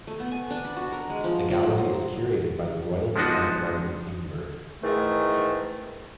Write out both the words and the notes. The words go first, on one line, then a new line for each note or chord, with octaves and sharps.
The gallery is curated by the Royal Botanic Garden Edinburgh.
A3
B3
G#5
D4
B5
F#4
A#4
G#3
F3
F3
F#3
C6
F3 G#3 B3 D4 D#4 F#4
G#2 D#3 E3 A3